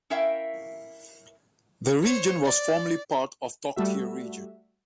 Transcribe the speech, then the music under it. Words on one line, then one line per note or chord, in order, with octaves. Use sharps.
The region was formerly part of Togdheer region.
C#4 E4 A#4 E5 F5 G5
C5 C#5
D5
G3 A3 F#4 E5